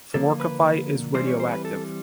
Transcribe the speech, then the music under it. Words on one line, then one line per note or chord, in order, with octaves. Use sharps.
Fluorcaphite is radioactive.
D3 F3 A#3 A4
B4
E3 G3 C4 C5
C#5
C5
B4
A4